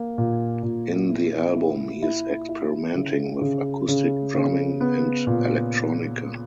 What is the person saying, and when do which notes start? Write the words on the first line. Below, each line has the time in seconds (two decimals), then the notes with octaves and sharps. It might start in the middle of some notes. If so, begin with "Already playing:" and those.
In the album, he is experimenting with acoustic drumming and Electronica.
Already playing: A#3
0.18 A#2
0.63 A#2
1.09 E4
1.56 E4
2.02 E4
2.49 E4
2.95 C#3
3.42 C#3
3.88 C#3
4.35 C#3
4.81 B3
5.27 A#2